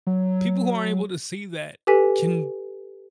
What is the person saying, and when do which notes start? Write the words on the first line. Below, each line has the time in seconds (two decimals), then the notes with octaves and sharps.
people who aren't able to see that can
0.07 F#3
1.87 G4 A4 B4 G#5 B6